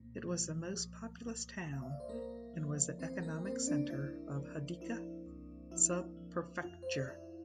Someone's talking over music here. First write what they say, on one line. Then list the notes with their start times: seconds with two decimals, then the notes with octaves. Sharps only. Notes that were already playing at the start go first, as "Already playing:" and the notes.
It was the most populous town and was the economic center of Hidaka Subprefecture.
Already playing: C2 A#2 A#3
0.28 F3
0.73 C2
1.18 C2
1.63 C2
1.73 F5
1.82 E5
1.91 D5
2.00 C5
2.08 C2 A#3 A#4
2.54 F3
2.99 C2 C4 C5
3.22 A#3 A#4
3.45 C2 C4 C5
3.63 C5
3.67 D4 D5
3.90 C2 E4 E5
4.35 F3
4.81 F3 E4 E5
5.26 C2
5.71 F3 E4 E5
6.17 F3
6.62 F2 F4 F5
6.83 C5
6.95 D5
7.08 F2 E4 E5